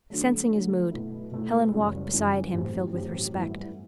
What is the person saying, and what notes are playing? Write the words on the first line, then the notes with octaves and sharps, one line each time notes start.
Sensing his mood, Helen walked beside him filled with respect.
D3 F#3 A3
D3 F#3 A3
B2 A3 E4
B2 A3 E4
F#1 F#2 E3 G3
F#1 F#2 E3 G3
A1 A2 F#3 C4 G4
A1 A2 F#3 C4 G4
A2 E3 G3 B3 E4